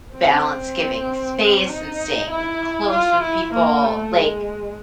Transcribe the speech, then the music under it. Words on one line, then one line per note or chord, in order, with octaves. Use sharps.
balance giving space and staying close with people? Like
C4
D#4
E4
F4
E4
A#3
A3
G#3